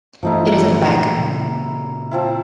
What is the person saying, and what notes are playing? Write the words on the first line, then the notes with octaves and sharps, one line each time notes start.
It is in the bank.
G2 E3 F3 A3 D#4 E4
A#2 E3 E4 A#5
A#2 C#3
F3 C4 E4